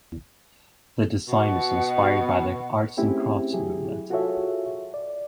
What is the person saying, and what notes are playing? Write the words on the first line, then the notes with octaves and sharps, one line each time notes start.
The design is inspired by the arts and crafts movement.
B2 F#5
A3 C4 C#4 E4 G4 G#4
F#3 E4 G4 G#4
F4 F#4 G#4 A4 C#5 E5
D5